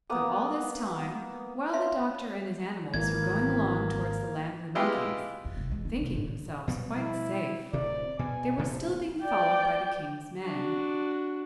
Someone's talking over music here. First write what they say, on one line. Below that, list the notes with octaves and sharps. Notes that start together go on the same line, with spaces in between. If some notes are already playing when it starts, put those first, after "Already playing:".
So all this time, while the Doctor and his animals were going along towards the Land of the Monkeys, thinking themselves quite safe, they were still being followed by the King's men.
A#3 B3 D#6
B4 C#5 E5 F5 A5 C6
G#1 E3 F3 A#3 E4 G#6
G#3 B3 E4 F4 G4
E2
F1
E3 G#3
D#4
E1
A2
B2 F3 G3
E4
D1 C3 D5
B2 G#5
D1 C3 F3 A#3
D5 G5
D4 F#4